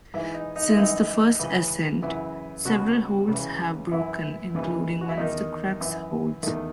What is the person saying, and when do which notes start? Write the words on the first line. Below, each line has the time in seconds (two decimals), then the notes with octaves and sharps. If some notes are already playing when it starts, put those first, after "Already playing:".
Since the first ascent, several holds have broken including one of the crux holds.
0.14 G#2 E3 E4
0.34 D#4
0.56 D#4
0.69 E4
0.76 F#2 E3 D#4
1.39 C#2 C#3 E3
2.02 F#2 C#3 E3 E4
2.65 C#2 B2 F#4
3.28 C#2 C#3 E3
3.91 F#2 E3 E4
4.54 D#2 C#3 E3
5.01 F#4
5.09 E4
5.17 E2 D#3 D#4
5.80 F#2 E3
6.43 E2 D#3 A3